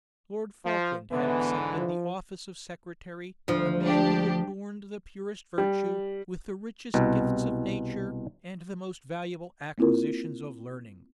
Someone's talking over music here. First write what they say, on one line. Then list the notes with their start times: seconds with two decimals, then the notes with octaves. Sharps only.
Lord Falkland had accepted the office of secretary; a man who adorned the purest virtue, with the richest gifts of nature, and the most valuable acquisitions of learning.
0.65 F3
1.11 G#2 D3 E3 B3
1.77 F3
3.48 D2 F3
3.83 D4 G4
5.58 G3
6.94 C2 B2
9.78 A#3 C4 E4 F4 A#4